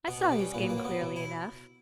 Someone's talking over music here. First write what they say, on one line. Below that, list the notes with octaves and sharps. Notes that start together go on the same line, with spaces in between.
I saw his game clearly enough.
B2 B3
B3
G3
C#4
A#2 B3
A#3
F#3
B3
B2
E4